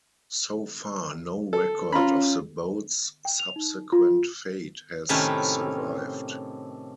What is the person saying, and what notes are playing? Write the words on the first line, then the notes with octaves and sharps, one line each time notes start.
So far no record of the boat's subsequent fate has survived.
A4
C#4 F4 A#5 B5
G5
F7
D#4
F4
A2 C3 D#3 A3 C#4 E4